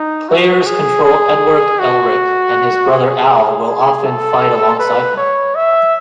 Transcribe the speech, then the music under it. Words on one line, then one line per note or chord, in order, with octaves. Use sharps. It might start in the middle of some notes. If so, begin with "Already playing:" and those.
Players control Edward Elric, and his brother Al will often fight alongside him.
Already playing: D#4
F#4
G#4
G#4
F#4
G#4
A4
B4
C#5
E5